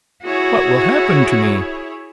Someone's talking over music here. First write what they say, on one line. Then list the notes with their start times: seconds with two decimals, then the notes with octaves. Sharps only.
What will happen to me?
0.24 E4 F#4 G#4 C#5